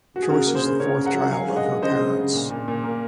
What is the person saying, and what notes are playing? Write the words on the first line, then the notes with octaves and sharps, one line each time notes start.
Joyce is the fourth child of her parents.
F#4
G#4
C#3 F#4 A#4
A#3
G#4 C5
C#3
C#3 A#4 C#5
C#3
F#5 A#5
F#3
C#3 F5 G#5
G#3
D#5 F#5
G#3
C#3 C5 D#5
G#3
C#3
A#2
A#2
A#2
A#3